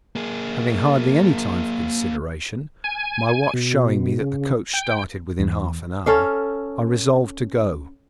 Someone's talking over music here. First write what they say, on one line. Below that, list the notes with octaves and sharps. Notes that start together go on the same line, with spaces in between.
Having hardly any time for consideration,--my watch showing me that the coach started within half an hour,--I resolved to go.
A#3 G#4
G#5
B2
C#3
G5
E2
C#4 A4 F5